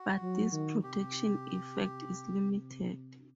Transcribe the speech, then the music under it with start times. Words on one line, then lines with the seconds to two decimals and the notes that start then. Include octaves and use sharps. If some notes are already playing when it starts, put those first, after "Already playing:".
But this protection effect is limited.
Already playing: F#4
0.22 F#3
0.52 D#3
0.83 C3 G4